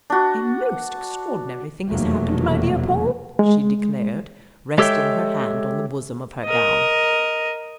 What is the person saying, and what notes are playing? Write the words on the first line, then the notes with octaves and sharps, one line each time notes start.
"A most extraordinary thing has happened, my dear Paul!" she declared, resting her hand on the bosom of her gown.
D4 F#4
F1 E2 B2 F#3 A3 A#3
G#3
G#3 G4 A4 C#5 E5 G5
A#4 D#5